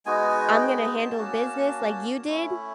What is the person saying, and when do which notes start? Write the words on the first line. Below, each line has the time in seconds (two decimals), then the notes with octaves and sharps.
I'm gonna handle business like you did,
0.06 G#3 B3 D#4 F#4 G#5
0.61 G5
0.99 A5
1.17 A#3 C#4 F#4 A5
2.27 A3 C#4 E4